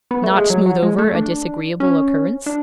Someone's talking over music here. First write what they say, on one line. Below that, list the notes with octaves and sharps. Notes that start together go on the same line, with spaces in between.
'Not smooth over a disagreeable occurrence?'
B3
A3
G#3
F#3
F#3
G#3
A3
D4
C#4
D4